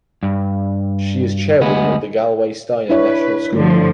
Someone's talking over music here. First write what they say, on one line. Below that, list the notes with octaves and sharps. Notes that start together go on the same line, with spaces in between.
She is chairwoman of the Galway Steiner National School.
G2
D2 G#3 B3
D4 E4 B4 C#5
G2 D3 F3 A3